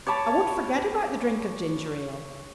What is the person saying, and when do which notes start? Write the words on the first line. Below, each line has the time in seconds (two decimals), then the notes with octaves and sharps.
"I won't forget about the drink of ginger-ale."
0.07 C#5 D5 A5 B5